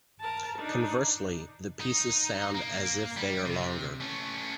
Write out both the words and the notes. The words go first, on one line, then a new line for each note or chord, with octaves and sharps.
Conversely, the pieces sound as if they are longer.
A#4 A5
D4 D#4
D#4
A#3
G3
C3
A3 C#4